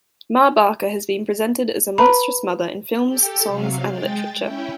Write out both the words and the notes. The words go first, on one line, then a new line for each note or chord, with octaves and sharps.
Ma Barker has been presented as a monstrous mother in films, songs and literature.
B4 A#5 B5
G4 A4 G5
C3 F#3 F5
G#3 G5 A6
C#4 E4 G5